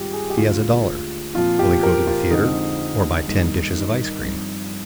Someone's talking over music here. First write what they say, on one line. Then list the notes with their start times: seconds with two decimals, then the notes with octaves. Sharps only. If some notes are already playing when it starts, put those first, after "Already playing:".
He has a dollar; will he go to the theater or buy ten dishes of ice-cream?
Already playing: G2 D#3 G#3 C4 F4 G4
0.13 G#4
0.30 G4
0.37 D2 D3 G#3 F4
1.34 A#2 F3 C4 F4
1.59 G4
1.83 A#4
2.07 F4
2.31 F2 D3 G#3 C4 D#4
3.28 G2 D#3 A#3
3.76 D#4
4.24 G2 F3 C4